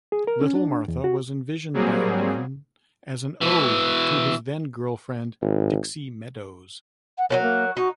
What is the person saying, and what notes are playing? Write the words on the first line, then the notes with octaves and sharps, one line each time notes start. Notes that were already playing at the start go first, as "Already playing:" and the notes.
Little Martha was envisioned by Allman as an ode to his then-girlfriend Dixie Meadows.
G#4
A#4
C#4
D4
E2
F#4
F#3 G3 A#3 C4 G#4
B2 E3
G#1
F#5
F#3 F#4 A#4 C#5
A#3
D#4 F#4